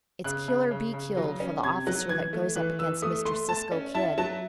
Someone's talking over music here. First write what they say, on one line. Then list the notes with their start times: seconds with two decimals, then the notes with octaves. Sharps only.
"It's kill or be killed for the officer that goes up against Mr. Cisco Kid."
0.24 C#3 F#6
0.48 C#3
0.71 C#3
0.94 C#3
1.17 F#3
1.40 C#4
1.63 C3 G#6
1.87 F#3 F#6
2.09 E3 G#6
2.33 A3
2.56 E3 F#6
2.79 E3 E6
3.02 A3 D#6
3.25 A3 C6
3.48 A3 A5
3.72 C#4
3.94 E4 A5
4.18 F#3 A5